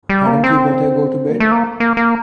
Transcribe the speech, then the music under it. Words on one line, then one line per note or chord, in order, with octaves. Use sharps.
Hadn't you better go to bed?
G3
A#3
C4
A#3
A3
A#3
A#3
A#3